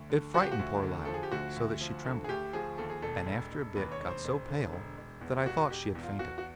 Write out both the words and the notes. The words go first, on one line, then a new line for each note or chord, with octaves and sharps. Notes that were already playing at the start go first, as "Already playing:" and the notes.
It frightened poor Lilla so that she trembled, and after a bit got so pale that I thought she had fainted.
Already playing: D2
D3
F3 F#4
G4
F#4
D2
D3
F3 A4
G#4
G4
D2 F#4
D2
F3
D3
G#4
D2 G4
F3 G#4
D#2 A4
G#4
E1 A4
E1
E1
D#2 B4
C#5
E1
C5
E1
D3
E1
E1
E2
G4
E1 F#4
E1 G4
E2
F4
E2 F#4
F#4